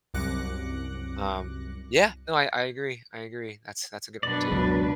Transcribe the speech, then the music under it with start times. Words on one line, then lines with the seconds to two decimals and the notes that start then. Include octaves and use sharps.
Um, yeah. No. I I agree. I agree. That's that's a good one too.
0.14 C2 F#2 D6 F#6 A#6 C#7
4.23 F#2 B2 D4 B4 D5
4.52 C#2 F#3 D4